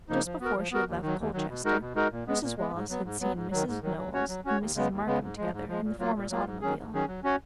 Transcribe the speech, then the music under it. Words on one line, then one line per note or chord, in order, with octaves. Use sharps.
Just before she had left Colchester, Mrs. Wallace had seen Mrs. Knowles and Mrs. Markham together in the former's automobile.
C#3 F3 A#3 D#4
F3
B3 F#4 A#4
F3
B3 F#4 A#4
D#2
D#3 F#3
D#2
D#3 F#3
B2
G#3 D#4 F#4 A#4
B2
G#3 D#4 F#4 A#4
A#2
G#3 B3
A#2
G#3 B3
G#2
F#3 B3
G#2
F#3 B3
G#2
D#3 F#3
G#2
D#3 F#3
F#3
C#4 F#4 C#5
F#3
C#4 F#4 C#5
D#2
C#3 G#3 B3
D#2
C#3 G#3 B3
G#2
F3 G#3
G#2
F3 G#3
A#2
F#3 A#3 F4
A#2
F#3 A#3 F4
G#2
D#3 F#3 C#4 G#4
G#2
D#3 F#3 C#4 G#4
F#3
C#4 F#4 C#5